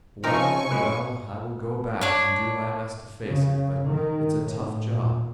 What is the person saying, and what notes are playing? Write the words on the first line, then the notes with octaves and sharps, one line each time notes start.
'Well, well, I will go back and do my best to face it, but it's a tough job.'
F3 C4 D#4 A#4 G#5 C#6
F#2 G#3 B4
D4 C#5
C#3
D#3
A2
A#2